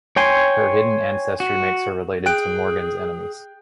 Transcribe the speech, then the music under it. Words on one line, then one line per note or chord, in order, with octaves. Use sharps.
Her hidden ancestry makes her related to Morgon's enemies.
C#5 G5 G#5 C6
F#4
G#4 G5 F#6 D7